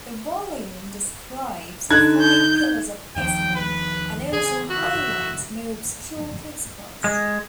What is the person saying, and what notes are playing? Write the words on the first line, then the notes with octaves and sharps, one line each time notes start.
The volume describes the Five Pillars of Islam and also highlights more obscure principles.
D3 D#4 F#6 G#6
G6
D#2 D#3 F3 G5
B4
C#3 E3 G#4 G#5
F#4 E5
G#3